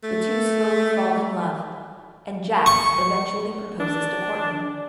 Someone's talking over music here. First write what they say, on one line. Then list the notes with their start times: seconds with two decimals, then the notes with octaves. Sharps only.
The two slowly fall in love and Jax eventually proposes to Courtney.
0.03 A3
2.66 C#6
3.80 D4